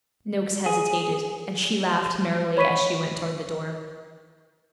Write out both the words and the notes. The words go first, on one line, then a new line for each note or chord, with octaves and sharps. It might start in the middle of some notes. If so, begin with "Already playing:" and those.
Noakes hesitated, and she laughed merrily as she went toward the door.
G#4
C#5 B5 C#6 B6 D#7